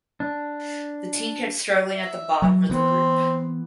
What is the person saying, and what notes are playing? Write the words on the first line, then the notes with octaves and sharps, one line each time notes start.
The team kept struggling at the bottom of the group.
D4
E5
F#3
E3 B3 C4